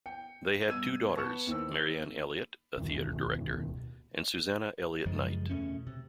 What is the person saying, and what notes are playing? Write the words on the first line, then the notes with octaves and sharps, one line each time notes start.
They had two daughters - Marianne Elliott, a theatre director, and Susannah Elliott-Knight.
G5 C#7
G2 B2 E6 G#6 D#7
B3 A5 C#6 C#7 E7
D#2 D#3 C5 E6
D1 B2 D#3
F#2 C#3 F3 G#3
E2 B2 A3 C#4
C3